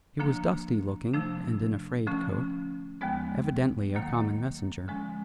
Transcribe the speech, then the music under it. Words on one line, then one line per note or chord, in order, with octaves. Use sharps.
He was dusty-looking and in a frayed coat, evidently a common messenger.
D3 F3 A#3 D4
C3 F3 A3 D4
D3 F3 A3 C#4
D#2 D3 F3 G#3 B3
D#2 D#3 F#3 A#3
D3 F3 G#3 C#4